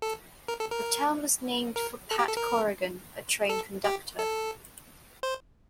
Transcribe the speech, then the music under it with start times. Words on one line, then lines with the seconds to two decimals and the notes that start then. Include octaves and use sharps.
The town was named for Pat Corrigan, a train conductor.
0.02 A4
0.48 A#4
0.60 A4
0.71 A#4
1.76 A#4
2.11 A4
2.19 G4
2.28 A4
2.37 A#4
3.49 A4
3.84 G4
4.19 A4
5.23 C5